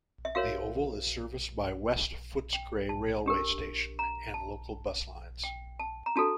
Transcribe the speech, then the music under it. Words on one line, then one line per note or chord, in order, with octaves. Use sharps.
The oval is serviced by West Footscray railway station and local bus lines.
E5
F#4 A#4 C#5 F5
G5
A5
D4 G4 A#4
A#5
A5
G5
A5
A#5
D4 F#4 A4 A5